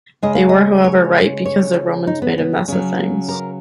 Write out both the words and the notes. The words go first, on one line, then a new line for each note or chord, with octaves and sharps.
They were however right, because the Romans made a mess of things.
C#3 G#3 D#5
F5
D#5
C#5
C#5
D#4
B3
B3
C#3 F#3 C#4
A#4